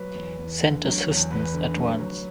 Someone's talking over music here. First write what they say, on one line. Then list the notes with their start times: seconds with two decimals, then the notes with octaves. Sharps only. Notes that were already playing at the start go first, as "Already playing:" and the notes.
Send assistance at once.
Already playing: F#3 B4
0.14 E2
0.39 E2
0.62 D3
0.85 F#3
1.08 E2
1.31 E2 B4
1.54 D3
1.77 F#3
2.00 F#3